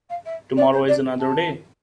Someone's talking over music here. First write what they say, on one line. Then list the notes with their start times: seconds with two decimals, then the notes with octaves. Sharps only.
Tomorrow is another day.
0.09 F5
0.25 E5
0.57 D5
0.72 C5
0.88 D5
1.19 A5